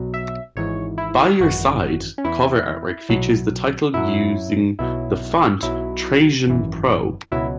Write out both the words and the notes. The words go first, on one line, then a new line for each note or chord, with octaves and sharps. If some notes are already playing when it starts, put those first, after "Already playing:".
"By Your Side" cover artwork features the title using the font Trajan Pro.
Already playing: B1 B2 F#3
E5
G#1 G#2 E3 C#5
E4
G#1 F#2 E3 F#4
C#4
E2 E3 E4
B1 B2 F#3
F#2 F#3 E4
B1 B2 F#3 E4
B1 B2 F#3 E4
G#1 F#2 E3
C#2 B2 F#3 E4